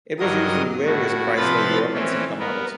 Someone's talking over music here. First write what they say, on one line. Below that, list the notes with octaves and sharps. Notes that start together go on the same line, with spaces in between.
It was used in various Chrysler Europe and Simca models.
G2 F#3 A#4 D#5 D#6
A2 F#4
C3 F3 F4 B4 B5 A6
E3 C4 C#4
B3 A#4